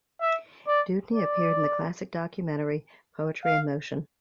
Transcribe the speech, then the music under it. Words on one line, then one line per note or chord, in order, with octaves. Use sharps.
Dewdney appeared in the classic documentary "Poetry in Motion".
E5
D5
D5
F5